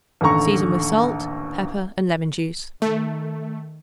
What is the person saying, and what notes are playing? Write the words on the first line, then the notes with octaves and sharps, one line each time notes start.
Season with salt, pepper and lemon-juice.
A1 D#2 D3 A4 A#5 C#6
D#3 A3